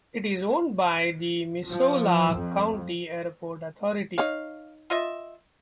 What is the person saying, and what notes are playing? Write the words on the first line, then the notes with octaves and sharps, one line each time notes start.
It is owned by the Missoula County Airport Authority.
F3
F2
D#4 C#5 F5
F4 D#5 E5